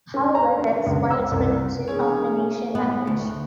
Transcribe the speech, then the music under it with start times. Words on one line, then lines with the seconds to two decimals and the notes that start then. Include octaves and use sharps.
However, there is widespread usage of Venetian language.
0.14 C#4
0.35 A#5
0.59 D4
0.86 C#2
1.10 E6
1.32 C2
1.88 E1 C#4 G#4 C#5
2.75 B3
3.07 D2